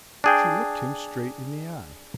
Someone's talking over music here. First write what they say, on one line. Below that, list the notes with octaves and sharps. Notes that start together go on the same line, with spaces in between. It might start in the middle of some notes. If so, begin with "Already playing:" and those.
She looked him straight in the eye.
D4 G#4 G5